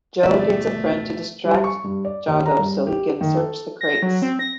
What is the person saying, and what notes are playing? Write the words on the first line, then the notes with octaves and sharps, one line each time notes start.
Joe gets a friend to distract Jago so he can search the crates.
G#1 D2 B2 F3 A3 D5 E5
G3
C#6
G2
D5
D#2
A#5
G2
G4
D#3
A4
A#6
F#3
C4
A#6